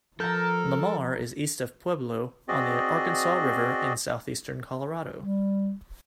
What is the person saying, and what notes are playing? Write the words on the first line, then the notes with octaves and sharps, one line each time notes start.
Lamar is east of Pueblo, on the Arkansas River in southeastern Colorado.
F3 A4 A#4 A#5 G6
C4 F#4 G#4 D5 D#5
G3